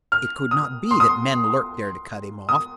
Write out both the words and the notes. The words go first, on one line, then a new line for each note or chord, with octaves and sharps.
It could not be that men lurked there to cut him off.
F6
D#6
C6
D#6
C6
D#6